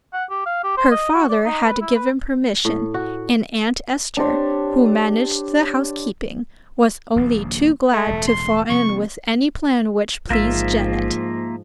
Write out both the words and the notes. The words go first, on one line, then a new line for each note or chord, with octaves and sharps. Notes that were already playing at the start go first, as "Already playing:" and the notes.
Her father had given permission, and Aunt Esther, who managed the housekeeping, was only too glad to fall in with any plan which pleased Janet.
F#5
G4
F5
G4
C5
D#5
F#4
D5
D#4
B4
E4
B4
A2
F#4
D4 G4 C5 C#5
D#1 A#1 A#3
A3
E1 A2
C6
C3 F3 A#3 C#6
A1 G#2 F3 A#3 F4 E5